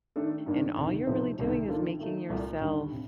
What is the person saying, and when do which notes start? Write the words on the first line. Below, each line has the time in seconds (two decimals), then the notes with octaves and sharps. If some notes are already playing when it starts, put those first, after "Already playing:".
and all you're really doing is making yourself
0.16 D#3 A3 D4 A4
0.46 G2 D#3 A#3 D4
0.77 D2 C3 D#3
1.07 C3 F3 A3 C4 D#4
1.39 C2 C3 D#3 A3
1.68 D#3 A#3 D4 F4 A4
1.99 D#3 A3 D#4
2.29 C2 A#2 A3
2.61 D#2 D3 G3
2.92 C3